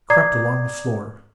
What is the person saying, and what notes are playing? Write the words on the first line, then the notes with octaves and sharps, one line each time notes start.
I crept along the floor.
D5 A#5 D6 D#6 G#6 C7